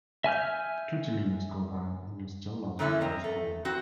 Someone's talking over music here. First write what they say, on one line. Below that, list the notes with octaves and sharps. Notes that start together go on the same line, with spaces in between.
Twenty minutes go by and you're still locked into those two chords...
E5 G#5 F6 G6
A#2 D3 E3 C#4 E4
C4 A#4 D#5
A3
C4 F#4